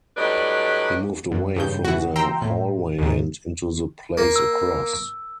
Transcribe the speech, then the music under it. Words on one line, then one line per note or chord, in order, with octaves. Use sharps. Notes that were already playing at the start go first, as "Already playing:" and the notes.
He moved away from the hallway and into the place across.
A2 F#3 G3 D4 B4 D#5
F#2
G2 C#3 G6
E3 F#4
G5 A#5 C6 E6
A2
D#2 G#2
A#3
E6